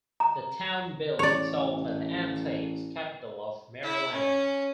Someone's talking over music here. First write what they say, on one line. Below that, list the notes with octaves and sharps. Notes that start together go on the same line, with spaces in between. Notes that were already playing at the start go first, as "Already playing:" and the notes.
The town bills itself as the "Antiques capital of Maryland".
A#5
A1 C#5 D5
E4
C#4